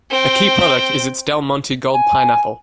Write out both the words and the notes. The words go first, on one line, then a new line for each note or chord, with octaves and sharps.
A key product is its Del Monte Gold pineapple.
C4 G5
G#5